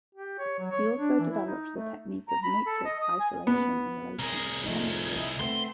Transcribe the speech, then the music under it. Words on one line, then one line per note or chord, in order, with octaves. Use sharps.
He also developed the technique of matrix isolation in low-temperature chemistry.
G4
C#5
F#3
C#5
D4
E3
E4
D#4
A3
A#5
B5
A4
D#5
D#6
G#5
B3
C2 G#4 A#4 A#5
F3 A3 D#4
D#4 E4
A3 B3 C4 C6